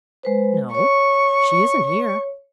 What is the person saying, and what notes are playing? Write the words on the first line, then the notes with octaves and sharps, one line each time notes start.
"No; she isn't here."
G#3 B4 C5
C#5 C#6